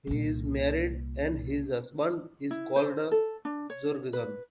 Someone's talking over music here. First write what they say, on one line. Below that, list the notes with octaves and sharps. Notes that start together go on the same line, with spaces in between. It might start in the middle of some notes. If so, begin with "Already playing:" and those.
He is married and his husband is called Jurgen.
C2 A#2
E4
C5
A4
D4
C#5
B4